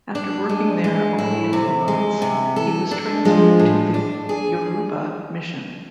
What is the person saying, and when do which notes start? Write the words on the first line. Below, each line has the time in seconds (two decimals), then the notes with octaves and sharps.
After working there only a few months, he was transferred to the Yoruba mission.
0.15 D4
0.49 G#3
0.84 G#3
1.18 A2 E4
1.53 C3
1.88 G#3
2.22 C3
2.56 E3 A4
2.91 D4
3.25 F3 G#3
3.59 A2
3.94 D4
4.29 G#4